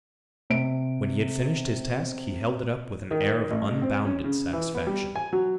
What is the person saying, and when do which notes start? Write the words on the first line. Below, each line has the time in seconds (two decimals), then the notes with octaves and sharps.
When he had finished his task he held it up with an air of unbounded satisfaction.
0.50 C3 D7
3.11 D#3
3.51 A1
3.82 C4
4.05 C#4
4.24 C#3
4.53 E3
4.75 B3
4.87 G3
5.16 G#5
5.33 F#3